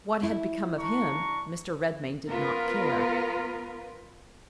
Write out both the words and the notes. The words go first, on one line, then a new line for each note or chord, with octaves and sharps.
What had become of him Mr. Redmain did not care.
E4 E5
D4 A#5 C#6
B3 F4 A#4 B4